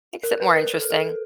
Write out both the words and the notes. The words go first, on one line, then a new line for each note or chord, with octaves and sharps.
makes it more interesting.
A#4
B4
A#4
A4
A4